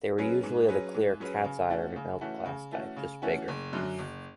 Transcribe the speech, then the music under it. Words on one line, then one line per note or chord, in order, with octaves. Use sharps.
They were usually of the clear "cat's eye" or milk glass type, just bigger.
F#3 C#4 G#4 B4
G#2
F#3 C#4 G#4 B4
G#2
F#3 C#4 G#4 B4
C#3
E3 A3 C#4 F#4
C#3
E3 A3 C#4 F#4
C#3
E3 A3 C#4 F#4
C#3
E3 A3 C#4 F#4
F#1
F#2 D3 F#3
F#1